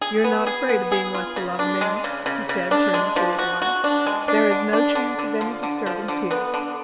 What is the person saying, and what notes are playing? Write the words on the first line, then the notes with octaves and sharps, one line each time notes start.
You are not afraid of being left alone, Mary?" he said, turning to his wife. "There is no chance of any disturbance here.
G#4
B3
G#4
B3
G#4
F4
C#3
D4
G#3
C#3
C#3
C#3
D4
G#3
F3
F#4
F#4
D4
G#3
D4
D3
D4
D3
D3
F3
D3
F3
D3
B3
D3